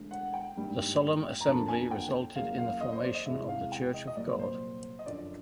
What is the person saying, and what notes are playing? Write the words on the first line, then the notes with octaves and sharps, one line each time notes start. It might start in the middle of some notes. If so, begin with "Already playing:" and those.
The "solemn assembly" resulted in the formation of The Church of God.
Already playing: E1 D2 D3
F#5
G5
G#1 G2 D#3 G3 A#3
A#5
F2 D3 F3 A#3 A5
G#5
G5
E2 C#3 F#3 A#3 F5
F5
D#5
C5
D5
D#5
E2 C3 E3 G#3 E5
F5
G5
D#5
D#5
C2 A#2 F#3 D5
C5
D#5
F#2 D3 F3 D5